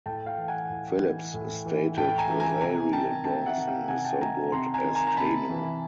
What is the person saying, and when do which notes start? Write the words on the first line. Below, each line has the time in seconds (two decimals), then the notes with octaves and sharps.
Phillips stated "Rosario Dawson is so good as Tano".
0.06 A2 G5 A5
0.26 F5 G5
0.38 E3
0.48 F#5 G#5
0.69 A2
1.01 E3
1.34 A2
1.65 E3
1.97 A2 G5 A5
2.18 G#5 A#5
2.29 E3
2.40 G#5 A#5
2.61 C3 G#5 A#5
2.93 D#3 G5 A5
3.24 C3 G5 A5
3.46 E5 F#5
3.57 D#3
3.67 F5 G5
3.88 C3 F#5 G#5
4.04 G5 A5
4.20 D#3 G#5 A#5
4.52 C3 A#5 C6
4.74 G#5 A#5
4.84 D#3
4.95 G#5 A#5
5.07 A#5
5.17 C3 A5 B5
5.49 E3